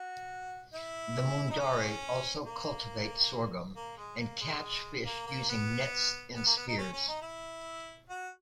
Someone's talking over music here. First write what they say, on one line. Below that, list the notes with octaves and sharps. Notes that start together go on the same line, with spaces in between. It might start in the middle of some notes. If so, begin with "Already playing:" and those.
The Mundari also cultivate sorghum and catch fish using nets and spears.
Already playing: F#4
E4
D#4
C#4
A#3
A#3
G#3
A#3
G#3
A#3
A#3
B3
B3
A#3
B3
D#4
C#4
C#4
D#4
E4
F#4